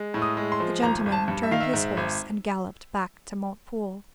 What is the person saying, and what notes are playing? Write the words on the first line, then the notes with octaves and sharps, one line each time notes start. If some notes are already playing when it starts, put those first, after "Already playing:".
The gentleman turned his horse and galloped back to Montepoole.
Already playing: G#3
A2
D#6
G#3
C6
F3
G#1 A#5
G#1
A5
G2
E5
D#3 F5
E5
G#2
G#1